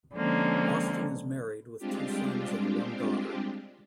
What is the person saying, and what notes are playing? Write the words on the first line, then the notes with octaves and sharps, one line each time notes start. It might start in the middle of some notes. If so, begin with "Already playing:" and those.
Austin is married with two sons and one daughter.
D3 F3 G#3 A#3 C4 C#4
G3 G#3 C4 D4 F4 G4